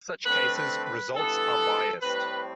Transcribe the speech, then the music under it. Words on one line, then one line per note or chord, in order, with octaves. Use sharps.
In such cases results are biased.
D3 A3 C4 B4
B4
B4
G2 E3 B3 A4
A2 G3 C4 B4